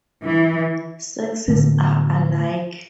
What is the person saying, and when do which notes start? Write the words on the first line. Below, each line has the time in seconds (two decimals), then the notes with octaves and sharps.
Sexes are alike.
0.23 E3
1.48 A2 D3 A3 B3